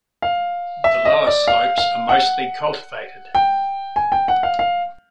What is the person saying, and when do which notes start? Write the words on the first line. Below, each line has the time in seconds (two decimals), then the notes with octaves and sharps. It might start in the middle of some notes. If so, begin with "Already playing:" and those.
The lower slopes are mostly cultivated.
0.22 F5
0.84 E5
1.05 D#5
1.27 D5
1.48 F5
1.78 F5
2.09 F#5
3.35 G5
3.96 G#5
4.12 G5
4.28 F#5
4.43 F5
4.59 F5